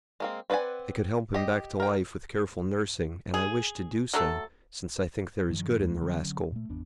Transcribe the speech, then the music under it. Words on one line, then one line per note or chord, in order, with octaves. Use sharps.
I could help him back to life with careful nursing, and I wish to do so, since I think there is good in the rascal.
G#3 A#3 C4
C4 B4 D5 F#5 G#5
G4 D#5
A#4 G5
G#4
F#3 A3 A4
G2 D#3 F3 F#3
D#2 G#3 A3
D3 F#3 A3 C#4
A#2 A3
G#1 E2 B3 D4